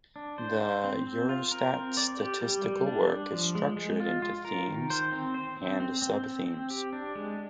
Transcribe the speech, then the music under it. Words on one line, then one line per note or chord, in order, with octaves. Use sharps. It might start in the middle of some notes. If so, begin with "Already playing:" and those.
The Eurostat statistical work is structured into Themes and Sub-themes.
D4
C5
C5
C4
C4
F4
A#4
C4
D5
G4
G3
G3
D4
D4
F3
G#3
G#3
F4
F4
A#4
D#3
C5
C4
C5
C4
C4
C4
C4
C4
G4
D4
G#3